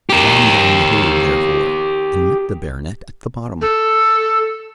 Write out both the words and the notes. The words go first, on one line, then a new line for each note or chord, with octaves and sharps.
I ran down the hill therefore and met the baronet at the bottom.
G4 A#4
A4